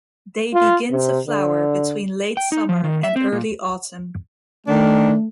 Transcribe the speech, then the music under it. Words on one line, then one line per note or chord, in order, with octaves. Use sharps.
They begin to flower between late summer and early autumn.
F4
C3
D3
G5
D#4
F3
D#3
E5
C4
A#2
D#3 A3 D4